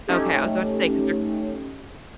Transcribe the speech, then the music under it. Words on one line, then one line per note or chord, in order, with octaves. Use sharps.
Okay, I was about to say, 'cause they're
A3 C#4 D#4 G4